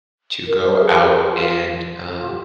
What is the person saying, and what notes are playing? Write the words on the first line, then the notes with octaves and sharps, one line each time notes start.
to go out and, um,
A#4
C5
A#4
G#4
G4
C5
A#4
G#4
G4
F4
F4
G4